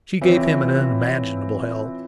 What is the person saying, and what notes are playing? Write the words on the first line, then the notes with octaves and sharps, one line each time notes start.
She gave him an unimaginable hell.
E3 C4 F4 B4 C#5 E5